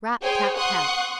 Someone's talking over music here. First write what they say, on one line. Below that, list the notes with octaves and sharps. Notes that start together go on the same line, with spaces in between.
Rap! tap! tap!
G#4 C5 C#5 G5 G#5
F#5 C6 C#6 D#6 F#6